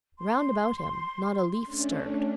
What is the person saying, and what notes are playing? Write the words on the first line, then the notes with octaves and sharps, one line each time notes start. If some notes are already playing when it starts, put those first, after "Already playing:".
Round about him, not a leaf stirred.
C6
A3 C#4 D4